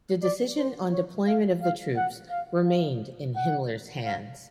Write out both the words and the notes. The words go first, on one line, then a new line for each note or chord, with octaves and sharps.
The decision on deployment of the troops remained in Himmler's hands.
D5
C5
C#5
F5
F5
F#5
F5
F5
F#5
F5